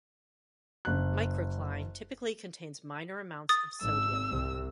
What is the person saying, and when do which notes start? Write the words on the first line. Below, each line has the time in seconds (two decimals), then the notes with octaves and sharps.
Microcline typically contains minor amounts of sodium.
0.85 F#1 F#6
3.49 D#6 A6
3.81 G#1 E6
4.29 C2 C3